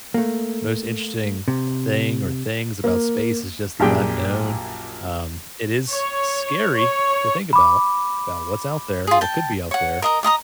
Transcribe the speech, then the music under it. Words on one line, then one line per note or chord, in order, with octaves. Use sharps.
most interesting thing or things about space is just the unknown. Um, it is scary to think about about what's out there, what could be out there,
A3 A#3
C3
A#3
A#1 F#2 A#2 G4 G#4 G5
C#5
C#5
B5 D6
F4 G#4
G5 A5
C#5 F#5
A#4 D#5 A#5
D5 D#5 A#5 D#6